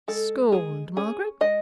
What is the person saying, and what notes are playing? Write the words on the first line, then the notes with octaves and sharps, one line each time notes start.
'Scorned, Margaret!
G#3 A4
G#3 G#4
C#4 G#4
G#3 D#5